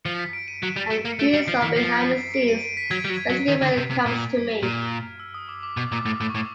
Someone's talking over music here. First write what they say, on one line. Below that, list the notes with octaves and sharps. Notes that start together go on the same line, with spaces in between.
And he's so 'behind the scenes,' especially when it comes to me.
F3 C#7
B6
D7
D#7
F#3 E7
G3
A3
A#3
C#7
A3 D7
G3 C#7
F3 C7
E3 B6
F3 C7
D7
D#7
B6
F#3 G#6
G3
F#3
F#3
D#3
D3
C3
C3
A#2
A#2 F6
E6
D#6
D6
D6
B2 D6
A#2 D6
A2 D6
A2 D#6
C#6
A2 D6